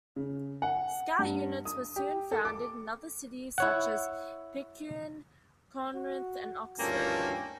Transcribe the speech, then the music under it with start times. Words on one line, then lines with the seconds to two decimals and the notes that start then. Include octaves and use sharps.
Scout units were soon founded in other cities such as Picayune, Corinth and Oxford.
0.16 C#3
0.62 F#5
1.19 G2
1.65 D#6
1.96 G4
2.31 A4
2.45 D6
3.58 E4 C#5 F#5
5.94 F#4
6.79 D2 G2 D#3 F3 A#3 C#4 A4 G5